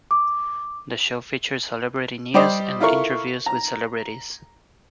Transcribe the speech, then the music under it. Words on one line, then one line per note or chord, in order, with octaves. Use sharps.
The show featured celebrity news and interviews with celebrities.
D6
G3 G4 C5 D5 D#5
E4 F4 A4 A#4 C#6
A#5